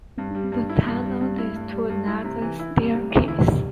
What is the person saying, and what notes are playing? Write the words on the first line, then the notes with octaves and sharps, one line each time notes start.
The tunnel leads to another staircase.
G2 C4
G3 D4
C4
G2 D4
E4
G2
G3
G2 C4
C4 E4
A3
G2
G3
G2
E4
C3
E3
E4
D4
G3 C4
C3
A3
E3
C3
D3 E4
D3 G3
C3